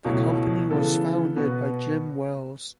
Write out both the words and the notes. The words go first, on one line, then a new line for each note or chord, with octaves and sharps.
The company was founded by Jim Wells.
C#2 B2 F#3 A3 E4
C#3 E3 B3 A4
B2 B3 F#4 B4